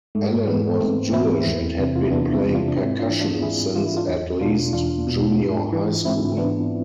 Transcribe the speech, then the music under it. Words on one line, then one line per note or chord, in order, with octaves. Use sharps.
Alan was Jewish and had been playing percussion since at least junior high school.
G#2 A3
E3 G#3 B3
G#2 A3 C4
E3 C4 E4
E2
C3 E3
F4
E4
E2 B3 D4
C4 E4
C3 E3
D4 F4
D4
G#2 C4 E4
D4 F4
E3
D4 F4
G#2 E4 G#4
E3 F4
E4
D4 F4
E2
B2 D4 F4
E2 D4 F4
B2
G#2
E3
G#2 C4 E4
E3 B3 D4